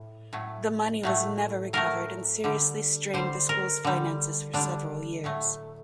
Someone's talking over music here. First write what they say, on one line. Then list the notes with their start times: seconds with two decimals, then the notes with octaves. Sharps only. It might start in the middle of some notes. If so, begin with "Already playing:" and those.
The money was never recovered and seriously strained the schools finances for several years.
Already playing: A2
0.33 A2 F#3 A3
1.03 A2 F#3 A3
1.73 A2 F#3 A3 A#4
2.44 D3 G3
3.14 D3 G3 C5
3.49 A#4
3.84 D3 G3
4.53 D3 G3 D4
5.24 A2 F#3 A3